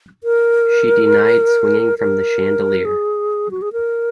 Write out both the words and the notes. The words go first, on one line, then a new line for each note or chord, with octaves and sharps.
She denied swinging from the chandelier.
A#4
A#4
G#4
F#4
G#4
A#4